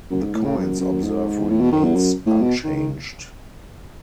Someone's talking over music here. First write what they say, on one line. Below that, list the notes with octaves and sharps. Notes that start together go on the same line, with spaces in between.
The coin's obverse remains unchanged.
F#2
G#2
A2
C#3
F#2
F#2
G#2
A2
B2
D#3
E2
F#2
A2
B2
D#3
D#3